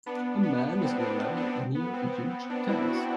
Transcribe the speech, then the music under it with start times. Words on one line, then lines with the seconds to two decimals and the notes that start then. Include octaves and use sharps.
A man is on a ladder near huge tanks.
0.06 B3 D4
0.43 B3
0.81 C4
1.00 B3 D4
1.19 B3 D4
1.37 B3 D4
1.56 C4
1.75 B3
1.93 C4
2.12 C4
2.31 C4
2.50 B3 D4
2.69 C4 E4
2.87 D4 F#4